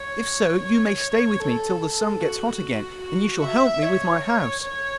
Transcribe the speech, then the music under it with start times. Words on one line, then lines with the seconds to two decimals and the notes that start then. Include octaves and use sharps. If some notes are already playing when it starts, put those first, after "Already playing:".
If so you may stay with me till the sun gets hot again, and you shall help me with my house.
Already playing: C#5
0.59 C#5
1.40 A4
1.80 A4
2.21 F#4
3.01 F#4
3.42 E5
3.82 C#5
4.63 C#5